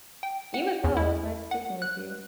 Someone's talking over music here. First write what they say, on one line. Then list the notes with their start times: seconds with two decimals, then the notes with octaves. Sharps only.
You as well. It was nice speaking with you.
0.23 G5
0.54 F#5
0.84 E2
0.97 E4
1.51 F#5
1.82 F#6